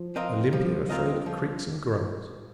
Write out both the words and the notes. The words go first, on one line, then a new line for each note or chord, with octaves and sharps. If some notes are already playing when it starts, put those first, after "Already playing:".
Olympia afraid of creaks and groans?
Already playing: F3
C4 F4 A#4 D#5
F3 G3
C4 F4 A#4 D#5
F3